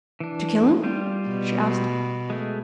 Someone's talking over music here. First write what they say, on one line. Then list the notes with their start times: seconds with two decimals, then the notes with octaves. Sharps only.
"Did you kill him?" she asked.
0.20 E3 D4
0.83 G3 F4 G4
1.29 B2
2.30 G#3 A3